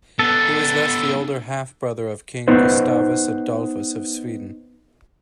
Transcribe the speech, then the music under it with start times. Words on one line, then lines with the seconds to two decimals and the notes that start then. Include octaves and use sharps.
He was thus the older half-brother of King Gustavus Adolphus of Sweden.
0.19 B3 D4 A4
2.48 B3 D#4 B4 C5